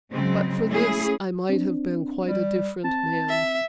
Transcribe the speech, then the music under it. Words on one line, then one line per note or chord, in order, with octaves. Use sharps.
But for this I might have been quite a different man.
C#3 F#3 G#3 C4
A3 C#4 E4 G#4
C4 D4
G3
C4 A5
E5